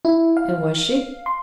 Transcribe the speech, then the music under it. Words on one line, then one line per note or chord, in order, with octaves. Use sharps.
"And was she?"
E4
F5
C6